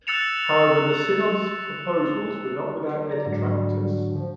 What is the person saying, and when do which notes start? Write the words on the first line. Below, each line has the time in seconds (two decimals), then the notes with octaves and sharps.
However, the synod's proposals were not without their detractors.
0.07 E6 F#6 A6 C#7 E7 F7
3.11 D5 A#5
3.26 G#2 D3 F#3
3.47 G3
4.15 F3